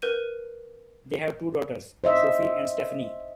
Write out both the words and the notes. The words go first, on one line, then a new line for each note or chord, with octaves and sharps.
They have two daughters, Sophie and Stephanie.
A#4 B4 G6 D#7
C5 D#5 E5